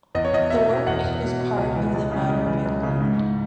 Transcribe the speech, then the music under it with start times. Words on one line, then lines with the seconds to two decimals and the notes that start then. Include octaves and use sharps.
The work is part of the Matter of England.
0.15 E2 D#5
0.25 C#5
0.33 E2 D#5
0.50 B2 E5
0.69 B2
0.86 E2 F#5
1.04 E2
1.22 B2
1.41 B2
1.57 C#2
1.76 E3
1.94 C#2
2.12 C#3
2.30 C#2
2.47 E3
2.66 C#2
2.83 C#3
3.01 G#2
3.18 G#2